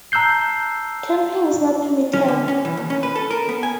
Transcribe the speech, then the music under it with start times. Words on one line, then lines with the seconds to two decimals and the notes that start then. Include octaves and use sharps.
Camping is not permitted.
0.12 A5 A#5 E6 F#6 G6 C7
2.13 C#4
2.28 D3
2.48 C#4
2.65 E3
2.77 D#2
2.90 C#4
3.03 B4
3.16 A4
3.31 A#4
3.49 B3
3.63 G#5